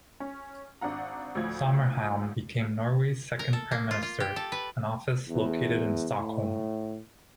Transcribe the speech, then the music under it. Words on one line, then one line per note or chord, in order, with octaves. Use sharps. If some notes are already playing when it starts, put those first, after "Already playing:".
Sommerhielm became Norway's second prime minister, an office located in Stockholm.
C#4
G#1 D4 F#5 A#5
D2 A2 F3 G#6
A#4
A4
A#3
F4
F4
G4
A4
B4
E2
A2